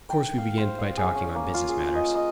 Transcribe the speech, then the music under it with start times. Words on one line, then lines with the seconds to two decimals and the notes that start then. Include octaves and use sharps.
Of course, we began by talking on business matters.
0.10 G5
0.38 F5
0.58 C5
0.79 F5
0.98 G#4
1.15 C#4
1.35 A#3
1.54 F4
1.69 G#4
1.95 D#5
2.15 D#5